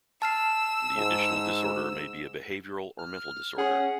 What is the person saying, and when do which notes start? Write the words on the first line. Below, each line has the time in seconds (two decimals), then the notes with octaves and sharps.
The additional disorder may be a behavioral or mental disorder.
0.22 A5 E6 F6 C7
0.96 G#2
2.99 F6
3.58 C#4 G#4 F#5